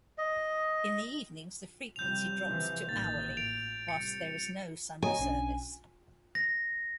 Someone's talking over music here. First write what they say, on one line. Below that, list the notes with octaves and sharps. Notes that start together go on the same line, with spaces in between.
In the evenings the frequency drops to hourly, whilst there is no Sunday service.
D#5
C3 F3 G3 G6 F7
C3 E3 F3
A1 D#3 A#3 A6
A2 D7 F7
C2 C#7
C#5 D#5 G#5 A#5
B1 C#4 D4
A#6